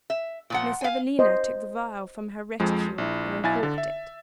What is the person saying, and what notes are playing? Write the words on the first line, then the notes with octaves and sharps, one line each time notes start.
Miss Evelina took the vial from her reticule and uncorked it.
E5
A#2 F3 F#5
F5 G#5
C5 D#5
F2 F3 G#3
A#1 E4
B1 E4 G#5 A6
D3
E5